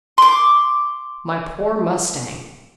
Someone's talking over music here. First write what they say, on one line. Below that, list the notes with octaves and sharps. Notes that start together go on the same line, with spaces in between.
"My poor mustang!"
C6 D6